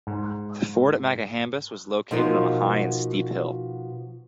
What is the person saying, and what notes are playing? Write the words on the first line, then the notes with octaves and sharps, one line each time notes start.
The fort at Makahambus was located on a high and steep hill.
G#2
B2 F3 D#4 F4 F#4 A#4